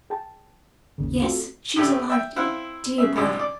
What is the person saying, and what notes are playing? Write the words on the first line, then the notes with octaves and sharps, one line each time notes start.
'Yes, she is alive, dear, dear brother!
G#4 G5 A5
G#1 D#2 C#3
A3 C4 F4 F#4 A4
A2 A3 G4
E5 G5
C4 E4 F5 F#5
C#3 E5
G#1 A2 C3 D4
D5